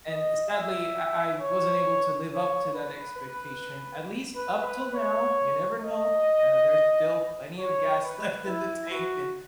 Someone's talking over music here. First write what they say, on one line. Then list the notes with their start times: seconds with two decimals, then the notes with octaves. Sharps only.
and sadly, I I wasn't able to live up to that expectation, at least up till now, you never know, uh, there's still plenty of gas left in the tank, and,
0.10 D#5
0.54 E5
1.41 C#5
2.30 C#5
2.74 B4
3.17 B4
4.35 B4
4.65 B4
4.94 C#5
5.82 D#5
7.58 C#5
8.03 B4
8.46 E4
8.91 F#4